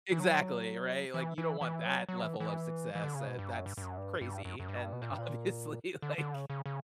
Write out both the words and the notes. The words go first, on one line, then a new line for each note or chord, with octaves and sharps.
Exactly, right, like, you don't want that level of success, uh, that's crazy, and, obviously, like,
E3
F#3
E3
E3
E3
F#3
F#3
E3
E3
E3
D3
C#3
B2
G2
F#2
G2
G2
F#2
G2
G2
F#2
F#2
G2
B2
A#2
G2
A#2
D3
D3
C#3
C#3
C#3